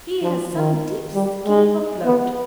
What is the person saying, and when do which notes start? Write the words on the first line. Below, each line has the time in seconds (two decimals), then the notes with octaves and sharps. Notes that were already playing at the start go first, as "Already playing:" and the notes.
He has some deep scheme afloat.
0.23 F3
0.54 D#3
1.14 G3
1.45 G#3
2.05 B3